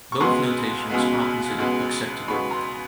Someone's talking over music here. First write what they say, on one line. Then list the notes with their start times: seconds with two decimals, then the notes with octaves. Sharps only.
Both notations are considered acceptable.
0.12 C#6
0.20 C#2 B2 G#3 B3 A#5 C6
0.89 C#2 B2 G#3 B3
1.58 C#2 B2 G#3 B3
2.28 C#2 B2 G#3 B3 B5 C#6
2.51 A#5 C6